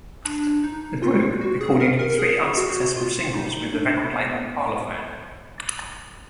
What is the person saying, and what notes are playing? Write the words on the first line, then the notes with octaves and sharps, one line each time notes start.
The group recorded three unsuccessful singles with the record label Parlophone.
D4
D#4
F4
F#4
G#4
A#4
A#4
A#4
G#4
F#4
F4
D#4
D4
B3